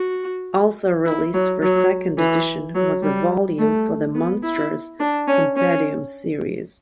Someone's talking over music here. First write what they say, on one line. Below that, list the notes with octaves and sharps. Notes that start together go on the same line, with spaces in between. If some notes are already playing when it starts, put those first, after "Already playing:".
Also released for second edition was a volume for the "Monstrous Compendium" series.
Already playing: F#4
E4
F#3
F#3
E3
F#3
G3
A3
B3
E4
D4
C#4
C#4